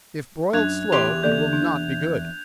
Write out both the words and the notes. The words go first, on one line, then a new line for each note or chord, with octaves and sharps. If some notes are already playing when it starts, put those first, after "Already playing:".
If broiled slow, it will not be good.
F#2 D4 F#6 G#6 F7
E2 G4 C6 F7
A#3 A4 D5 G6
D4